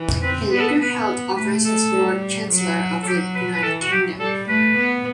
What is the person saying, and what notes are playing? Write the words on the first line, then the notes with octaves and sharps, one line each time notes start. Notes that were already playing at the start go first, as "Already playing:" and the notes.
He later held office as Lord Chancellor of the United Kingdom.
Already playing: E3
C4 B4
B3 B4
A4
B4
B3 B4
A3 B4
A4
G3
F#3
A4
F#3 G4
B4
B4
E3 A4
F#4
F#3 G4
G3 A4
A3 B4
B3